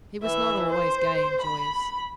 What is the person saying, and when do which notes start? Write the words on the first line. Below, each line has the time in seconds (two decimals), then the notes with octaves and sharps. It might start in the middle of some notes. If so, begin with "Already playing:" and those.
He was not always gay and joyous.
0.23 E3 E5
0.69 C5
1.42 B5